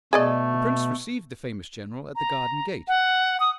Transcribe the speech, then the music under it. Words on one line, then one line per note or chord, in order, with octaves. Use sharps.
The prince received the famous general at the garden gate.
B2 A3 G#4 D5 D#5
A#5
F#5
D#6